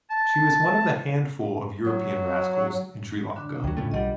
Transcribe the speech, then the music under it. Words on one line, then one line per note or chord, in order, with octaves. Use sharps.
She was one of the handful of European Radicals in Sri Lanka.
A5
F#3
D3 D4
D#2 F#3 G5
A2 C#3 A3 F4
B1 F3 G3 D#5 F#5